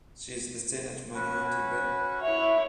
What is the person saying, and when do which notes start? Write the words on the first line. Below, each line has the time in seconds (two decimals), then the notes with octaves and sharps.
She is the Senate minority whip.
1.15 C#4 F#4 B4
2.21 E4 C#5 E5